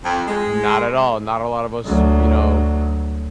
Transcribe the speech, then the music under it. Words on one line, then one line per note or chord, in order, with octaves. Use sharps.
Not at all. Not a lot of us, you know,
F2
G#3
D2 F#3